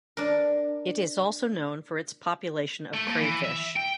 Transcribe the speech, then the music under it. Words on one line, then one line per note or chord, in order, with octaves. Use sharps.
It is also known for its population of crayfish.
D4 A#4
A3
A#2
E3
E5
G5